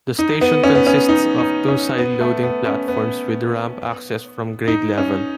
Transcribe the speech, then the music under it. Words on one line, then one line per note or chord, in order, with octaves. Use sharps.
The station consists of two side-loading platforms with ramp access from grade level.
D#4
B3
C#4
B3
C#4
D#4
D#4
C#4
B3
A3
B3
C#4
B3
D#4
C#4